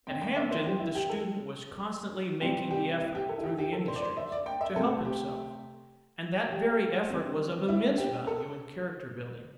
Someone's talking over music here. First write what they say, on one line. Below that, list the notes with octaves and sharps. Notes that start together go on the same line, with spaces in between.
At Hampton the student was constantly making the effort through the industries to help himself, and that very effort was of immense value in character-building.
D3 C4 G5
G5
E5
C5
G4
E4
G4
A4
C3 G3 C4 G4
G4
E4
G4
A4
E4
G4
G4
A4
C5
D5
C5
E5
D5
G5
E5
C3 A3 C4 A4
G4
G4
D3 G3 C4
E4
G4
A4